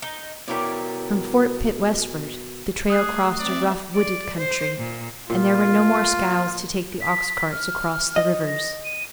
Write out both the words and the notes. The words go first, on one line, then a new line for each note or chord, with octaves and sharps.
From Fort Pitt westward the trail crossed a rough, wooded country, and there were no more scows to take the ox-carts across the rivers.
D#4
B2 E4 G4 A#4 C#5 D5
A3 G#4 D#6 F#6 C7
C4 D5 E5
D5
C5
A#2
A#2 F4
B6
F6
D#5
A#6
D#7